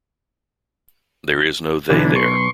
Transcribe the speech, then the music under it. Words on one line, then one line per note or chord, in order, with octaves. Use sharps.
There Is No They There.
B1 D3 E3
C6 C#6